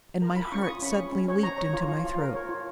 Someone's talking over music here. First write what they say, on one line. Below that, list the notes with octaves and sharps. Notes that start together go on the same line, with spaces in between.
And my heart suddenly leaped into my throat.
A#4 A#5
F4 B5
C#4 C#6
C#6
F4 D#6
C#4 B5
C#4
C#4
C#5
C#5 A#5
C#5
F4
F4
F4
A#4
C#5
F4